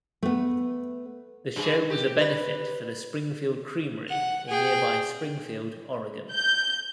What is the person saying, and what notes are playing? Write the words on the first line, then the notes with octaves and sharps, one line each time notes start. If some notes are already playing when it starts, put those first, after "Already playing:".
The show was a benefit for the Springfield Creamery in nearby Springfield, Oregon.
A3 B3
G2 G#4
G4
B4
F#5
G#4 G5
G6